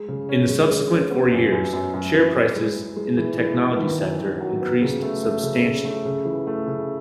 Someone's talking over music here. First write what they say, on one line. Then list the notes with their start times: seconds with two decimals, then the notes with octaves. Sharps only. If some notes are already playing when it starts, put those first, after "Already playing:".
In the subsequent four years, share prices in the technology sector increased substantially.
Already playing: G#3
0.09 C#3
0.29 C#4
0.49 G#3
0.70 G#3
0.90 C#4
1.11 B3
1.32 F#2
1.52 F#2
1.73 F#2
1.94 F#2
2.14 E3
2.35 E3
2.56 G#3
2.76 G#3
2.96 G#3
3.17 E3
3.38 E3
3.58 B3
3.79 D#3
3.99 F#2
4.19 D#3
4.40 F#3
4.62 B3
4.82 C#3
5.02 A3
5.23 A3
5.44 C#3
5.63 C#3
5.85 A3
6.05 C#3
6.25 E3
6.47 A3
6.68 C#3